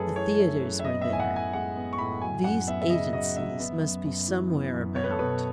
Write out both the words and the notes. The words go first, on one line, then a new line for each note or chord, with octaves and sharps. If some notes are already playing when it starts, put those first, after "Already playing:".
The theatres were there--these agencies must be somewhere about.
Already playing: F#2 A3 C#4 G#4 A4 B4
E3 C#5
A3
F#2
E5
B3 D#5
E5
A2 G#5
F#5
A2
G#5
G#3 F#5
B3
C#6
A2 B5
F#3 G#5
F#2 F#5
B3 E5
E5
C#3 D#5
F#3 D#5
F#2 E5
B3
F#2
F#2
E3
B3
F#2
B3 C#5
B4
A4
B2 B4